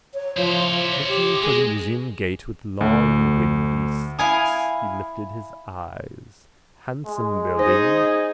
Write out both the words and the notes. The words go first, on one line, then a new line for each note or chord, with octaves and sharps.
Making for the museum gate with long windy steps he lifted his eyes. Handsome building.
C#5
F3 E4 C5
C#5
G4
G#3 G#4
D2
E4 F5 G#5 D#6
G#3
D#4 G#4 C5 D#5